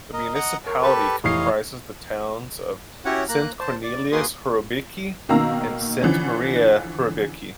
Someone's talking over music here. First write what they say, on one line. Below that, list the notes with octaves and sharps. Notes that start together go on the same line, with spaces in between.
The municipality comprises the towns of Sint-Kornelis-Horebeke and Sint-Maria-Horebeke.
A#4 D#5
D#5 F#5 A#5
A#4 C#5
G4 A4 B4
F1 E3 C#5 D#5 F5 C7
C#4 E4 F#4 G4 C#5 F#5
A#3 A#5 F#6
C5 A5
D5
A#3 F#4 G#4 B4 C6 D#6
B2 D#3 A#3 F5 A#5 E6
D3 E3 F3 C#4